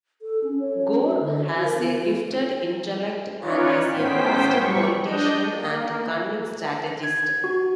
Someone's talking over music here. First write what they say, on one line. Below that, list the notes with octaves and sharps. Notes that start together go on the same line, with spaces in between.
Ghaur has a gifted intellect, and is a master politician and cunning strategist.
A4
C#4
C#5
C#4
F#4
D3
F#4
A#4
B3
F4
C#4 D#4 F4 B4 C#5 D5
A2 B3 C#4 C5 G5 B6
F#3 G3 C#6
D4 D#5 G6
A#3
G#6
F#4